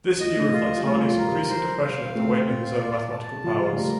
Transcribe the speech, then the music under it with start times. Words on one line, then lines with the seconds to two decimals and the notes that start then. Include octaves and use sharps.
This view reflects Hardy's increasing depression at the wane of his own mathematical powers.
0.21 F4 D#5
0.36 A3
0.53 G3 F4
0.63 F3
0.69 G3
0.85 A3 F4
0.96 G3
1.08 F3
1.18 G3 A#4
1.50 C5
1.83 F5
2.15 A3 C4
2.47 F4
2.79 D5
3.12 A5
3.44 F3 F4
3.60 G3
3.72 G3
3.76 A3 A#4